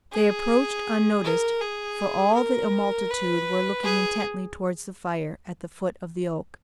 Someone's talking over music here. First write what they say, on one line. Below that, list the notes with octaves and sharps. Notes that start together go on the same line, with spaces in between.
They approached unnoticed, for all the multitude were looking intently towards the fire at the foot of the oak.
G#4
A#4
G#4
A#4
B4
G#4